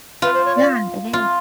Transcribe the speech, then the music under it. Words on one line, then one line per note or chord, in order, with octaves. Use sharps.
Yeah, it is.
F4 B4
C5
C#5
D5
F4